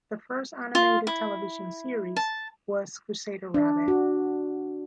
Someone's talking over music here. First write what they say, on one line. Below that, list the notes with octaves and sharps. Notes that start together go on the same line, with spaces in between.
The first animated television series was "Crusader Rabbit".
F4
E4
A5
D4
F#4